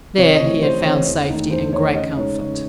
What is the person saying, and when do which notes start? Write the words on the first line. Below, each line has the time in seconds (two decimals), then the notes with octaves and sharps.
There he had found safety and great comfort.
0.18 C3 C#5
0.34 D#5
0.40 E3 A3 C4 E4 C#5
0.62 C3 C5
0.84 E3 A3 C4 E4 C#5
1.06 E2
1.29 D#3 A3 D#4
1.50 E2 C5
1.73 D#3 A3 D#4 C#5
1.95 C#3 D#5
2.17 G#3 D#4 C#5
2.39 C#3 C#5